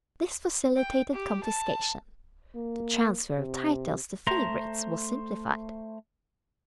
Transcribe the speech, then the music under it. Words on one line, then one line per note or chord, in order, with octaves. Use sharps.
This facilitated confiscation; the tranfer of titles to favourites was simplified.
G5
G4
A5
A#3
C3
A3 C5 A#5